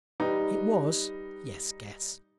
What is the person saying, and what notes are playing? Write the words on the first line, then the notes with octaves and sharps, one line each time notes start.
It was--yes, guess!
G3 D#4 B4